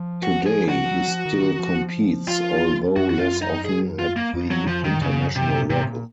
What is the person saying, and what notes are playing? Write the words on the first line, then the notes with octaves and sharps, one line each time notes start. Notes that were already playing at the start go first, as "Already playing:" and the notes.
Today, he still competes although less often at the international level.
Already playing: F3
F#4
G#4
F#4
F3
F#3
F3
D#3
D#3
F3
F4
F#2 F#4
F#4
F4
D#4
G#4
F4
A#3
F2
F#3
F3
D#3
G#2
F#2 C#3
C3
A#2
G#2 C3
A#2